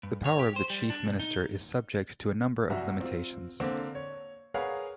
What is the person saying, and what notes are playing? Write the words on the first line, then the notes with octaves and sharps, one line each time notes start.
The power of the chief minister is subject to a number of limitations.
G2
C#5
G4
C5
G3
D4
B1
D#4
C2 F#2 F#4 E5 A#5 E6
C4 F4
D3 A#3 C4
C#5
G#4 A#4 B4 C#5 F5 F#5